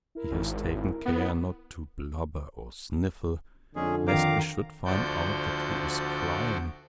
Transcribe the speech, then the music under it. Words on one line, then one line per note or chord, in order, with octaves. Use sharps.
He has taken care not to blubber or sniffle, lest we should find out that he is crying.
E4 A#4
G#1
B3
F2 D3 G#3 C#4 G#4
D#3 F5 A#5 D6
D2 D3 F3 F#4 D5 G6